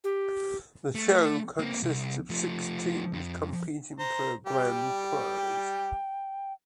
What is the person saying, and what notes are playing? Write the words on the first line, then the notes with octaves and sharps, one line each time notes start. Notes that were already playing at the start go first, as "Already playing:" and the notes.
The show consists of six teams competing for grand prize.
G4
A3
A#3 C4
C2
F3 A3
F2
C5 A#5
G3 G4 G5